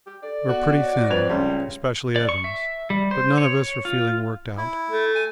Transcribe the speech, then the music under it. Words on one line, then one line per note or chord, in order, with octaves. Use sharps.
We are pretty thin, especially Evans, but none of us are feeling worked out.
G4
A4 D5
B3 F#4
C#5 D#5
F2 B4 C5 G#6 F7
C#2 G3 A3 C#5
D5
C#6
E5
G3
C5
C#5
F4
E4
A3
G#5